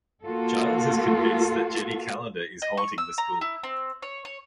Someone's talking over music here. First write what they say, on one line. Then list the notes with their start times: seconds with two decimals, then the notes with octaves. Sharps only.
Giles is convinced that Jenny Calendar is haunting the school.
0.23 A#3 F4 F#4 A4
2.62 D#5
2.77 C#6
2.98 E6
3.18 A#5
3.41 E4
3.63 C4
4.02 C#5
4.25 C#5